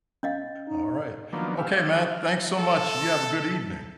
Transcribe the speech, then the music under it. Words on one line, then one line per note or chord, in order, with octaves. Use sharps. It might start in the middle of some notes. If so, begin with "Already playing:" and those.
Alright. Okay, man. Thanks so much. You have a good evening.
C#4 D#5 F5
D#4
D#3 F3 F#3 A#3 B3 D4
G4 E5 F5
F5 D6 E6
D#4 F#4 G4 A4
F6
A4